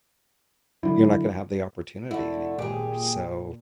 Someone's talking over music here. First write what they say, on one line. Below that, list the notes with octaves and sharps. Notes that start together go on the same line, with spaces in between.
you're not gonna have the opportunity anymore, so
F#2 D3 E4
D3 A3 E4
G#1 A#2 G4 G#4